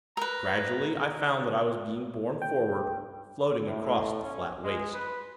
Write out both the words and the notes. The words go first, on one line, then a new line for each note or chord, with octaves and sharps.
Gradually, I found that I was being borne forward, floating across the flat waste.
A#4 B4 A#5
G5
A2
C#4
G#3
B4